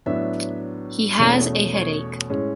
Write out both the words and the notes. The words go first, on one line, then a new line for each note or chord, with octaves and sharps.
He has a headache.
A2 F#3 B3 D4 E5
E2 B2 A3 C#4
C#5
A2 G#3 C#4